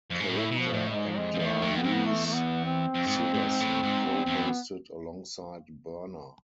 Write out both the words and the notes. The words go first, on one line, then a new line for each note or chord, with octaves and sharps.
Character actor Louise Siversen co-hosted alongside Berner.
F2
G#2
A2 E4
B2
F3
A2
G#3
G#2
F3
F2 G#3
F2
E2
A3
F2
B3
F2 C4
B3
E2 A3
A3
B3
C4
F2
G#2
F2
A2
G#2
A2
G#2
E2
E2
B3